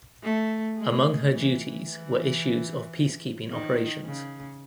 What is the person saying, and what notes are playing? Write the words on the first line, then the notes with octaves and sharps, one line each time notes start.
Among her duties were issues of peacekeeping operations.
A3
G#3
E3
E3
D#3
C#3